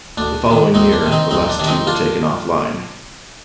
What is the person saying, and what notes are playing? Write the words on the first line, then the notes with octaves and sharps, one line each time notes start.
The following year, the last two were taken off-line.
D2 D4
C3 D#3
D2 C4 D#4
D4
C3 D#3
C4 D#4
D2 C4 D#4
D4
C3 D#3 D4
C4 D#4
D4 F4